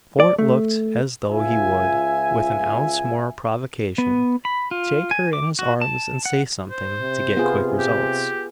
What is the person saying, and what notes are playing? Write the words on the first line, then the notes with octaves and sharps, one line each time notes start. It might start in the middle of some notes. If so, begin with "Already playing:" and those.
Fort looked as though he would, with an ounce more provocation, take her in his arms and say something to get quick results.
D5
A3
C#2 F4 E5 G#5
B3
B5
F4
G#5
D6
F#4
A5
F#5
C5
C3
B3 F4 G#4
G4